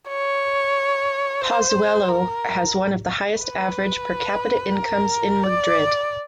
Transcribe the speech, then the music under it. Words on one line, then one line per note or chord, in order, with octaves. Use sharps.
Pozuelo has one of the highest average per capita incomes in Madrid.
C#5
C5
A#4
B4
A#4
D5